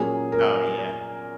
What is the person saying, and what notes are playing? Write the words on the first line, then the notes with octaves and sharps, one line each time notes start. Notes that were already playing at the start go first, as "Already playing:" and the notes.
Oh, yeah.
Already playing: A#2 F#3 A#3 C#4 G#4
A#4